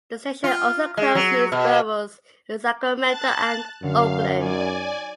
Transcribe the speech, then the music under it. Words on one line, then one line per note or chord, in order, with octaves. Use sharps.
The station also closed news bureaus in Sacramento and Oakland.
F4
G#3
F#3
B2
D6
A5 F#6 A6
F#2 D3 F#3 F5 C#7
D#4 C#5 D5 G#5